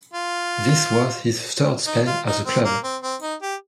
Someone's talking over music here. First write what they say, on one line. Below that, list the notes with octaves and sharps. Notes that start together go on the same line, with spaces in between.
This was his third spell at the club.
F4
D#4
F4
D#4
C4
A#3
C4
C4
D#4
G4